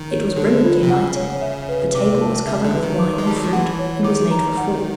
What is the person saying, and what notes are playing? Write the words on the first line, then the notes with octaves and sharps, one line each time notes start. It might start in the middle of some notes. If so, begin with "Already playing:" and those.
It was brilliantly lighted; the table was covered with wine and fruit, and was laid for four.
Already playing: D#3
C#5
D3 A4
F4
C3
C#3 F#5
C#5
E5
B4
C3 D6
A5
C#3 E5
D3
B4
D#3
D6
G#3
G3 A5
F#3
F3
E3 F#5
C#5
D#3 D6
A#5
F#5